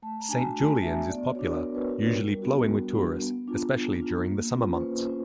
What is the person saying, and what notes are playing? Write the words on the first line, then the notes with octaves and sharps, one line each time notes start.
Saint Julian's is popular, usually flowing with tourists, especially during the summer months.
A3 A5
A#5
D4 F#4 G#5
A5
A3 G#5
D4 F#4 E5
B3 D5
D5
D4 F#4 C#5
A#4
B3 A#4
B4
D4 F#4 A#4
G3
B3 D4 F#4
G3
B3 D4 F#4
B3
D4 F4
B3
D4 F4
A#3
C#4 F4
C5
A#3 B4
C#4 F4 C5